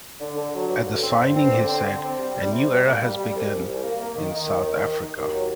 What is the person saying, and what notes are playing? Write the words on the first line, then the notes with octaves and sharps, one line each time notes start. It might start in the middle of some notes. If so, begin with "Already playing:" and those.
At the signing he said A new era has begun in South Africa.
D3
D3
F#3
G2
D3
C4
G2
C4
D3
C4
D3
C4
G3
G3
C3
G3
A#3
G3
G3
C2
C2
C2
A#3
A#3
D#3
D#3
D#2
D#3
D#3
D#3
D#2
F#3